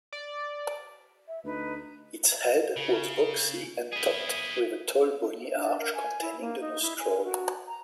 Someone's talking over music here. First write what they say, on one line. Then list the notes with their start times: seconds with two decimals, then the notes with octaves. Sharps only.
Its head was boxy and topped with a tall bony arch containing the nostrils.
0.13 D5
1.28 E5
1.44 D2 D#4 B4
2.77 C#3
3.93 E4 G#4
5.55 D4
5.79 A#4
5.95 G#5
6.22 E4
6.41 A#3
6.61 D#4
6.82 E4
6.99 G#5
7.24 F#4
7.68 A#5